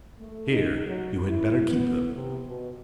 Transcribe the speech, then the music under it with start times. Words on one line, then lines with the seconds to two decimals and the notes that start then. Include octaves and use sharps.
'Here, you had better keep them!
0.20 A3
0.51 D#4
0.87 F#3
1.27 E4
1.69 B3
2.16 C3
2.48 B2